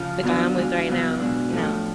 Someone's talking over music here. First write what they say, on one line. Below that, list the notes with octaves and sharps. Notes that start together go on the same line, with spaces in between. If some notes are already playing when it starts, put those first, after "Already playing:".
the guy I'm with right now, no.,
Already playing: C#3 F3 F4
D3 F#3 B3 D4 F4
D3 G#3 D4 F4
C#3 F#3 B3 D4 F4
B2 G#3 D4
A2 F3 A3